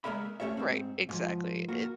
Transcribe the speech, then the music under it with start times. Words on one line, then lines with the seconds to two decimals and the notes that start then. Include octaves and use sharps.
Right. Exactly. It,
0.04 G#3 A3 B3 A#4 E5 B5
0.40 A3 C#4 G4 C#5 E5
0.57 G#2 C4
1.09 G#2 F3
1.69 A#3 F#4 A#4